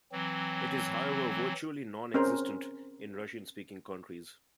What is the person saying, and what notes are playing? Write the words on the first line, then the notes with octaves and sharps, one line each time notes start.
It is however virtually non-existent in Russian-speaking countries.
E3 F#3 C4
C4 C#4 G#4 A#4 C5